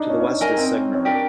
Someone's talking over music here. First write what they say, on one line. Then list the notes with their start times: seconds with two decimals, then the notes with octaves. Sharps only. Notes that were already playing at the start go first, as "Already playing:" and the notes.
To the west is Segner.
Already playing: D4 D#4
0.10 C#4
0.20 C#4
0.30 D4
0.41 D#4 A#4 D#5 G#5
0.57 C4
0.74 C#4
0.95 C#4
1.05 D4 G4 A#4 D5